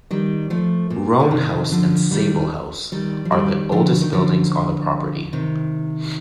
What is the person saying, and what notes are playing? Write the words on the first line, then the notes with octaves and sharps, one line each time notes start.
Roan House and Sable House are the oldest buildings on the property.
D#3 G3
F3 A3
A#2
D3
C3 D#3
D3 F3
D#3 G3
D#3 G3
F3
D#3 G3
D3 F3
D#3
D3 F3
C3 D#3